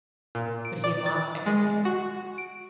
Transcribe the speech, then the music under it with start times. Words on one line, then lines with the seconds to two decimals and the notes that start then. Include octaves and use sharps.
But he had lost everything.
0.35 A#2
0.65 D7
0.84 D5
1.06 A6
1.46 G#3
1.85 F#4
2.38 D7